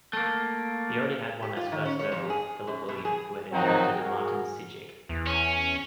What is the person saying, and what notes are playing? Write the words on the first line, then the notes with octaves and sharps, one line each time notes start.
He already had one as First Noble for Philip William, who had inherited Maartensdijk.
A3 A#3
G4
F4
D#3
C#4
C#5
F2
G#4
F#2
B2
G#4
D#3 F3 F#3 C4 D#4 F#4
F#4 G#4 A#4
E2
C#4